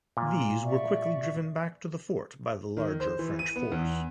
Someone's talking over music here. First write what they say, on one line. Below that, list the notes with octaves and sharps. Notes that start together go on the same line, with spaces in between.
These were quickly driven back to the fort by the larger French force.
A#2
D5 E5 C#6
D#3
C5
E3
D#7
B3
E2